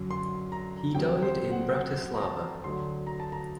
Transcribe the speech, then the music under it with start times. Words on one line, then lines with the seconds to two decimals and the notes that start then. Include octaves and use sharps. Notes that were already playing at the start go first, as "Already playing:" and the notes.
He died in Bratislava.
Already playing: F#2 D3 F#3
0.11 C6
0.52 A#5
0.95 D2 C3 F#3 G5
1.22 C5
1.52 F#5
1.79 F#5
2.16 A#5
2.22 A5
2.64 D2 D3 F#3 C6
3.07 A#5
3.20 A5
3.32 A#5